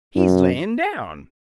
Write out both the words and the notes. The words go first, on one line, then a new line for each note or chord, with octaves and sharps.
"He's layin' down!"
F#2